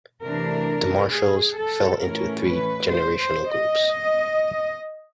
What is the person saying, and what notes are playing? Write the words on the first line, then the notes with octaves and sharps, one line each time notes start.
The Marshals fell into three generational groups.
C3 E3 A3 D4 A#4
G#4
A4
A2 E3 A3 C#4 A#4
B4
C5
C5
D#5